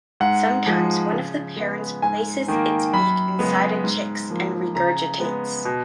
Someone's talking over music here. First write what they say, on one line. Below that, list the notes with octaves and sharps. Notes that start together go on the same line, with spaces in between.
Sometimes, one of the parents places its beak inside a chick’s and regurgitates.
G#2 F#5
F3 G#3
C#3
G#3 B3
G#2 G#5
D#3 A#3
F#2 B5
C#3 G#3 B3
G#2
F3 A#3
C#3 A#5
G#3 B3
B2